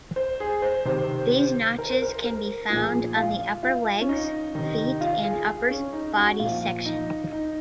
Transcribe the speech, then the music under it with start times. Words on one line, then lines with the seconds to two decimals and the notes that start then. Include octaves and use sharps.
These notches can be found on the upper legs, feet and upper body section.
0.16 C5
0.40 G#4
0.62 C5
0.85 C3 D#3 C5
1.32 C5
1.79 A#4
1.90 C5
2.02 A#4
2.24 A#4
2.70 A#2 F3 G#4
3.16 F4
3.63 F4
4.01 C#4
4.09 D#4
4.55 C3 D#3 D#4
4.78 D#4
5.01 F4
5.24 G#4
5.47 G#4
5.70 C#4
5.93 D#4
6.16 F#4
6.40 A#2 F3 F4
6.86 D#4
7.32 D#4